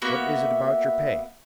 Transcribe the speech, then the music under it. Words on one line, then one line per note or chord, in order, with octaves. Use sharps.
"What is it about your pay?"
A#3 B3 F#4 E5